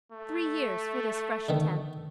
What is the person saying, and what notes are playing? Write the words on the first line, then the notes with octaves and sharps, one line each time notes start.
Three years for this fresh attempt.
A3
D3 D#3 B3